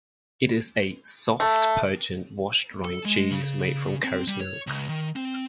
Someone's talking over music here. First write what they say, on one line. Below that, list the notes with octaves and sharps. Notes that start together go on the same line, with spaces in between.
It is a soft, pungent, washed rind cheese made from cow's milk.
A3
A4
G#3
C#3
C4
G3
C#5
C#2
D#3
C4